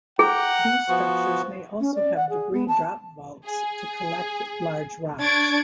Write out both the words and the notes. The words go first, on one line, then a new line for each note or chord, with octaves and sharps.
These structures may also have debris drop vaults to collect large rocks.
G#4 F#5 G5 A#5
F3 B3 F#4
C#4
D5
F#5
G#4
B3
A5
G#4
D4 C#6 G#6 A6 D7